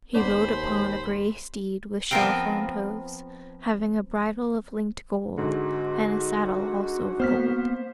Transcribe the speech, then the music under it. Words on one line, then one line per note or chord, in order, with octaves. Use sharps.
He rode upon a grey steed with shell-formed hoofs, having a bridle of linked gold, and a saddle also of gold.
D#2 B3 D4 C5 C#5 B5 C6
F3 B3 C4 A#4 F5 G5
G#2 D3 F#4
A#3 B3 C5 F6 B6